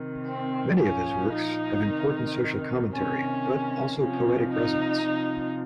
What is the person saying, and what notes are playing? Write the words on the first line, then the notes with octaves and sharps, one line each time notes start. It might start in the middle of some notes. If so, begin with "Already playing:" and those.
Many of his works have important social commentary but also poetic resonance.
Already playing: C3 D#3
C4
A#2 F3 C#4
D#4
C3 D#3
C3 D#3 C#4
C3 F3 C#4
D#4
C3 F3